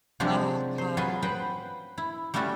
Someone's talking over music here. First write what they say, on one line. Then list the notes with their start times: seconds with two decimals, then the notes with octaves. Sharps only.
Oh, God.
0.20 C3 F3 F#3 G#3 D4 G4
0.78 C5
0.97 F#3 F4 G#4 B4 G#5
1.22 B4 C5 F#5 G5
1.98 E4
2.34 G3 A3 C#4 F#4 A4 E5